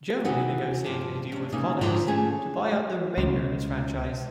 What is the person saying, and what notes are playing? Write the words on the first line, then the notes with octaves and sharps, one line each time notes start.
Govia negotiated a deal with Connex to buy out the remainder of its franchise.
D#2 E3 D#4 F#4 F#5
G2 F3
C#4 D4
C#3 A#3 D#4
G#2 D3 D#3 F3 F4
A3 C#4 F4 G#4
C#2